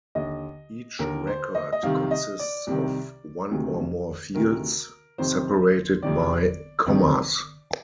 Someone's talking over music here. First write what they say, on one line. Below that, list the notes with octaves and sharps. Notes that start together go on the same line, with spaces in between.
Each record consists of one or more fields, separated by commas.
D#2 D3 D#5
D#2 D3 A#4
C5
D#5
D#5
C2 C3 D#3 F5
D#5
D5
C2 C3 D#3
D2 C3 D#3
D2 C3 D#3 A#4
F2 C3 D#3 C5
F2 C3 D#3 D5
F2 C3 D#3